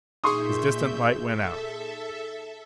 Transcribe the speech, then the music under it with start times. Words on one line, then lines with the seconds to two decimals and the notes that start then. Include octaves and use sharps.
His distant light went out.
0.24 A#2 D#4 G#4 E5 C6 C#6 D#6 G6
1.23 A4 E5